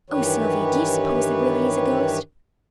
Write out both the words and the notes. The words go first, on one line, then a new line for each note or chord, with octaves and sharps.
"Oh, Sylvia, do you suppose there really is a ghost?"
G2 D#3 E3 G4 B4 C#5